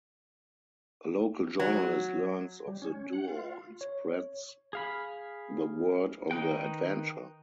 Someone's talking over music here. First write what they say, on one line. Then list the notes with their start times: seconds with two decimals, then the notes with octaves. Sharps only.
A local journalist learns of the duo and spreads the word on their adventure.
1.59 F#3
2.68 G3
2.82 C#4
3.13 F#5
3.28 F4
3.81 C#5
4.73 G#4 F5 B5
6.31 D#3 D#4 B4 G5